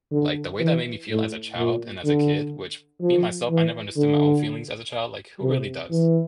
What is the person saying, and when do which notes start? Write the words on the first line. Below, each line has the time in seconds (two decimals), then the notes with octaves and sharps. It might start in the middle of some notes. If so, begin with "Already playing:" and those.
Like, the way that made me feel as a child, and as a kid, which, being myself, I never understood my own feelings as a child, like, who really does?
0.11 D3
0.60 E3
1.08 A2
1.56 A#2
2.04 D3
3.01 F3
3.49 E3
3.97 D3
5.42 C3
5.90 E3